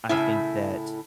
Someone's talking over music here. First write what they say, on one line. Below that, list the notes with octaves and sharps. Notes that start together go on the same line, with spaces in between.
I think that
A2 C#3 E4